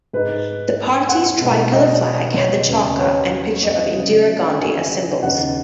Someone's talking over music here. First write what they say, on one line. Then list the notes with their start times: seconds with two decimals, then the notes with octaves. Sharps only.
The party's tricolour flag had the charkha and picture of Indira Gandhi as symbols.
0.13 G#2 G#3 D#4 B4
1.09 F#5
1.41 B2 G#3 D#4
1.72 D#5
2.37 C#5
2.68 D#2 C#3 B3 D#4
3.00 C#5
3.63 D#5
3.96 C#3 F#3 B3
4.59 G#5
5.23 D#2 C#3 B3 D#4 F#5